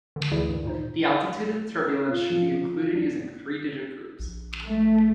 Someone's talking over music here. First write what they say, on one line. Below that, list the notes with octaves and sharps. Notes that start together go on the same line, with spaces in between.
The altitude of the turbulence should be included using three-digit groups.
D3 D#3
D2 E3 E4 G#4 D5
G2 D#3
A#2 D#4 C5
F4
F3
D4
A#1
A3